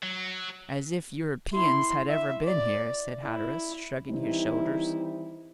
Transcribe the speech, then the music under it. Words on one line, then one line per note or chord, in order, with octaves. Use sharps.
"As if Europeans had ever been here!" said Hatteras, shrugging his shoulders.
F#3
E4 C6
E5
D5
E4
D#3 E3 G3 C4 D#4 E4